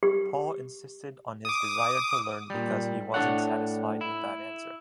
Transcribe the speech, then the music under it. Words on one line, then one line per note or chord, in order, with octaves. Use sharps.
Paul insisted on his desire to learn because he wasn’t satisfied with that answer.
G4
D6 D#6
A#2 G3
A2 D4 A4 C#5 F#5
E4